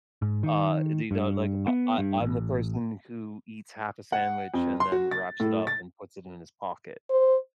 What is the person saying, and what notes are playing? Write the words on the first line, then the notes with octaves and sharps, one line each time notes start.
Uh, do you know like, I I I'm the person who eats half a sandwich and then wraps it up and puts it in his pocket.
G#2
D#3
G2
B3
G2
A1
F#5
F2
C6
F#4
A6
A2
A6
C5